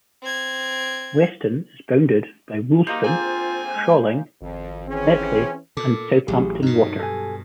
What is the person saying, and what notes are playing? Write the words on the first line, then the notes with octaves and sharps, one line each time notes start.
Weston is bounded by Woolston, Sholing, Netley and Southampton Water.
C4 G#6
F#3 A#3 D#4 G4 C5
D3 F3 C4 F4 G#4 G#5
G#3
G#1 F2
E3 C4 C#4 G#4
A#2 A4 D6
A1 F#3 G4 G#4
G2 B2 D#4
A4 G#5